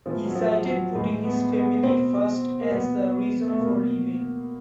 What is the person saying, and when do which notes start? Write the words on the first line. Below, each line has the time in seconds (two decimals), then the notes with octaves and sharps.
He cited putting his family first as the reason for leaving.
0.06 A2 E3 F3
0.25 F#3
0.35 F3
0.65 F#3
0.95 A2 E3 G#3
1.24 B3
1.53 B3
1.83 B2 C4
2.61 A#3
2.71 B2 B3
3.49 A3
3.60 B2 A#3